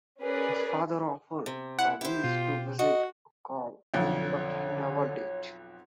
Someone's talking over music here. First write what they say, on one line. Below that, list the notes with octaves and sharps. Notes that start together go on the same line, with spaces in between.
His father often promised to visit or call, but he never did.
C#4 G#4 A#4 B4 D5
C3
E4 F#5
E4 G4 C5
B2 F4
F#4 D#5
B1 F2 D3 C#5